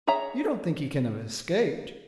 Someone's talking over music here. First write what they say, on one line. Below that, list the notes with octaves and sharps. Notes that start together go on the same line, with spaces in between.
"You don't think he can have escaped?"
G#4 C#5 E5 A#5